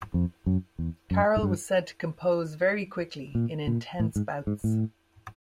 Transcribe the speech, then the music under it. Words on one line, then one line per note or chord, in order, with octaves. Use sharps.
Caryll was said to compose very quickly in intense bouts.
F2
F#2
E2
F#2
G#2
G2
A#2
A#2
A2
G#2
G#2
A2